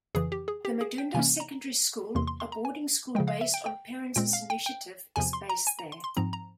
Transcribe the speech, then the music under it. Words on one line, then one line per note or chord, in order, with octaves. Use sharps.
The Madunda Secondary School, a boarding school based on parents' initiative, is based there.
F2 C#3 E3 G#4
G4
G#4
G4
G#4
G5
C3 E3 A#3 C#4 G#5
A#5
E2 C3 E3 A#3 C6
C6
C6
A#5
G#5
C#3 F3 G#3 G5
F5
E5
G5
G5
A#2 G#3 C4 G5
F5
G5
G5
E2 C3 F3 G#5
C6
A#5
G#5
A#5
C6
C6
G#2 F3 C4 A#5
A#5